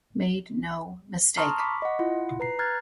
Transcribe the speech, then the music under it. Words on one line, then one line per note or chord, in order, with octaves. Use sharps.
Made No Mistake.
A5 A#5 C6 C#6 D#6 F6
B5 C#6 D6 B6
D#5 F#5
E4 F4 F#5
B4 A#5 C7
A#5 F6 F#6 G#6 A6